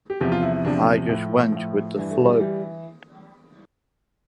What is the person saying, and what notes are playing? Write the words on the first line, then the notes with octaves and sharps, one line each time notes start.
I just went with the flow.
G4
E2 C3 F3 G4
F4
E4
E4
E2 C3 F3 D4
A2 F3
A2 F3
G2 E3
A3
G3
E3 G3